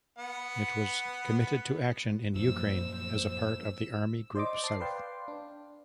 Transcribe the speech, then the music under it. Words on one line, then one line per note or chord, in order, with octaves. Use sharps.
It was committed to action in Ukraine as a part of Army Group South.
B3 F#5
F#2 A#2 F3 C5 E6
C5 D5 D#5 D6
A5 C7
B4 D5 F5 G5 C6
D4